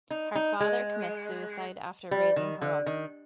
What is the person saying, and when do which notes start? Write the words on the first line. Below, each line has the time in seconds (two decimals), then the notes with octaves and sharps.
Her father commits suicide after raising her up.
0.10 D#4
0.35 D#4
0.60 G#3
2.11 G3
2.36 D#3
2.62 D3
2.86 D#3